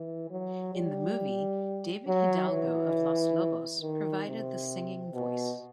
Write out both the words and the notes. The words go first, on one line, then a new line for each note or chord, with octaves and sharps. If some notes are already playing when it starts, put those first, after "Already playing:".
In the movie David Hidalgo of Los Lobos provided the singing voice.
Already playing: E3
F#3
G3
F#3
E3
D#3
C3
B2